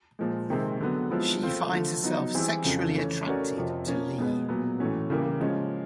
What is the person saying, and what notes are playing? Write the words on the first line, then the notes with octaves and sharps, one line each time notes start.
She finds herself sexually attracted to Leigh.
A#2 F3 G#3
C3 D#3 G#3 C4
D3 F#3 B3
F3 G#3 B3 E4
A3 C4 F4
D3 F3 A3
F#3 B3 D#4
E3 G3 C4 E4 G#4
F2 C#3 F3 A3
E3 A3 C#4
A3 C#4 F#4 A#4 D5
F2 C3 F3
F3 A#3 C#4
B2 G#3 B3
A#2 F#3 B3
A2 E3 A3 C#4 F#4
C#3 E3 G3 A#3
F3 G#3 C#4